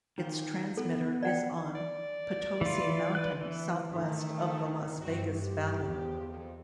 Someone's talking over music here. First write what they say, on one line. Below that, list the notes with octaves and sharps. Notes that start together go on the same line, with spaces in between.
Its transmitter is on Potosi Mountain southwest of the Las Vegas Valley.
D#3 F4
B3 A4
D5 F#5 G5
D5
E3 F4
B4 F#6
E3
D#3 A3
G2 C4 F#4
G4
E2 F3
F2